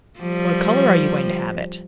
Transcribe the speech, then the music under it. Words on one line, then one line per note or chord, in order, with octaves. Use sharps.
"What color are you going to have it?"
F3 G3